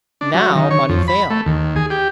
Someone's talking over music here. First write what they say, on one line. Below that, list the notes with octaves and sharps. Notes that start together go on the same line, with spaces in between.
Now money failed.
D4
F#3
D#3
C#5
F2
B5
A3
D#2
G#4
G4